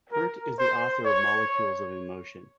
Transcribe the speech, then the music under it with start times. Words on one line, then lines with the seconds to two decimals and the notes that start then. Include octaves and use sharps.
Pert is the author of "Molecules of Emotion".
0.12 A#4
0.59 C5
1.05 C#5